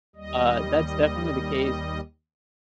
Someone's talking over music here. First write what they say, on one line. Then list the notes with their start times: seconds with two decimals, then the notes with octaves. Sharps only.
uh, that's definitely the case
0.16 D#2 G3 D#5